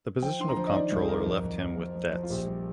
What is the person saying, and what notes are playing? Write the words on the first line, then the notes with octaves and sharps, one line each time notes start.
The position of comptroller left him with debts.
F3 G5
D3 C6
A#5
F3
D#5
D#3 D5
C2 C5
G#4
D#3 A#4
F2
F2
F2
F3
F3
F3
F4
A#1 G4
G3